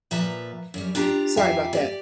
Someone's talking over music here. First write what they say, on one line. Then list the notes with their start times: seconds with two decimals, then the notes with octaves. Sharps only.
sorry about that.
0.11 A#2 F3 B4 E5 A5 A#5
0.74 F#2 G3
0.95 D4 F4 G4 A#5
1.37 F2 F3 G4 E5 F5 G#5
1.73 G4 D5